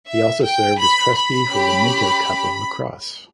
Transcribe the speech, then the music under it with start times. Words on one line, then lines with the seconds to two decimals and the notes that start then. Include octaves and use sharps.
He also served as trustee for the Minto Cup of lacrosse.
0.09 E5
0.44 G5
0.79 B5
1.14 B5
1.48 C#4 G4